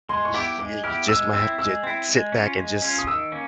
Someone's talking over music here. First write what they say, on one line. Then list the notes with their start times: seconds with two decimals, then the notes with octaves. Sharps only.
y y you just might have to sit back and just
0.09 G#3 C6
0.25 C#6
0.34 B3 E4 G4 D6
0.59 G#3 D6
0.84 B3 E4 G4 F6
1.08 G#3 E6
1.33 C4 E4 E6
1.59 G#3 E6
1.83 C4 E4
2.09 G#3
2.32 C#4 F4
2.57 G#3
2.82 C#4 F4
2.98 D#6
3.07 D#3 E6
3.32 A#3 C#4